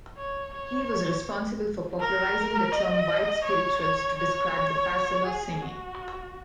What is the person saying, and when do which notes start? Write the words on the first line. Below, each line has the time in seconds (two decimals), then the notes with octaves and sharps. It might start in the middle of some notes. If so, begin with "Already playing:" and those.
He was responsible for popularizing the term "white spirituals" to describe the "fasola" singing.
0.17 C#5
0.54 C#5
2.00 A#4
2.72 D#5
3.44 C#5
3.81 C#5
4.17 C#5
5.26 G#4
5.62 F#4